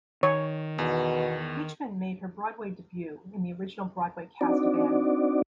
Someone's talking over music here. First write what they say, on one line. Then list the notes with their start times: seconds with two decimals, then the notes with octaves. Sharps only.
Beechman made her Broadway debut in the original Broadway cast of "Annie".
0.23 D#3 C#5
0.79 E2 B2
4.41 C4 D4 D#4 F#4 D5